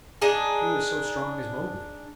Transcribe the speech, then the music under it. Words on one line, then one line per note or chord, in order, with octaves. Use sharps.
Who is so strong as Mowgli?
D4 D#4 G#4 A5